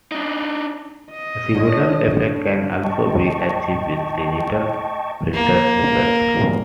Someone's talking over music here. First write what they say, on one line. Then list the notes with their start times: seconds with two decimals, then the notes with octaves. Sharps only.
Similar effects can also be achieved with digital filter effects.
0.12 D4 D#4
1.11 D#5
1.55 D3 C#5
2.84 D#5 G5 A5 C#6
5.34 A#3